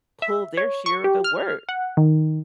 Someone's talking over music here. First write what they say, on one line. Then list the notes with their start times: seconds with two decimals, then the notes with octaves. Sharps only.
pull their share of the work,
0.22 E5
0.57 C#5
0.86 C#6
1.04 G4
1.24 F6
1.69 F#5
1.97 D#3